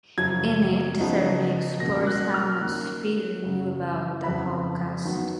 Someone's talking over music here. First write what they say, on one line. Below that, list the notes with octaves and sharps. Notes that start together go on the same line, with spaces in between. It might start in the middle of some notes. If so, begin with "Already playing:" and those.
In it, Sereny explores how much Speer knew about the Holocaust.
F#2 C#3 F3 G#6
C#3 F3 B3 D#4
B2 A#3 C#4 A#6
F#6
F6
D#3 A#3 C#4 F#6
F#2 C#3 F#3 C#4
F2 C#3 F#3 B5
D#3 F#3 B3